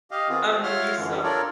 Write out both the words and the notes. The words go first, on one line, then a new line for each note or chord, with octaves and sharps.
um, you saw
G4 D#5 F5
D#3 B3 C4 F4 G#4
C5 D5
F4 C#5 E5 F#5 C6 F6
F#2 D3 E3
D4 F4 A4 A#4 C#5 D5